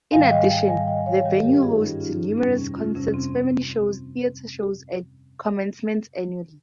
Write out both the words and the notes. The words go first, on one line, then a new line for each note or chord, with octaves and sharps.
In addition, the venue hosts numerous concerts, family shows, theater shows, and commencements annually.
G#2 D#3 G3 F5 G#5
D#5 G5
D#5 G5
G#2 D#3 G3 F5 G#5
D#5 G5
C#5 F5
G2 D#3 G3 D#5 G5
G4 A#4
F4 G#4
D#4
G2 D#3 G3 C#4 F4
C#4 F4
F2 C3 G3 C#4
C#4
C#4 F4
F2 C3 G3 C#4
C4